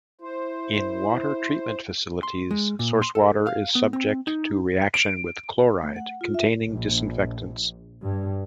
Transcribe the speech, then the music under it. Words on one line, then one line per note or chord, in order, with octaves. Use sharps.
In water treatment facilities, source water is subject to reaction with chloride containing disinfectants.
E4 C5
C6
G#3
A#2
C6
A4
F5
B3
C4
D#4
D7
A3
F#5
F4
E5
A#1
G2